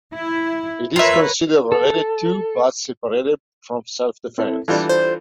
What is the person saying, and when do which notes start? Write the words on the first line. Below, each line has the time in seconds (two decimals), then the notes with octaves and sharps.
It is considered related to but separate from self-defence.
0.14 E4
0.96 F4 A#4 B4 C#5 E5
1.72 A4
4.38 C4 E4 A4
4.68 E3 G3 D4 F4 A4
4.89 C5